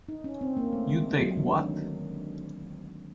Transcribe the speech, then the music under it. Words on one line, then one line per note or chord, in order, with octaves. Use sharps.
You take what?
D#4
C#4
C4
A#3
A3
G#3
F#3
D3
D#3